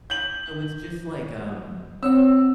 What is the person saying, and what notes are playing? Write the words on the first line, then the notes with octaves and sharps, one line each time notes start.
So it's just, like, um
G6 F#7
C4 C#5 F#5 E6